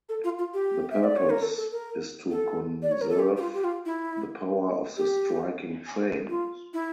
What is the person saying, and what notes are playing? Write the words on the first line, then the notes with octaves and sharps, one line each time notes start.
The purpose is to conserve the power of the striking train.
A4
F4
F4
G4
E5
D5
C#5
A#4
A4
A4
A#4
A4
D5
C#5
A#4
A4
G4
G4
F4
G4
F4
E4
G4
F4
E4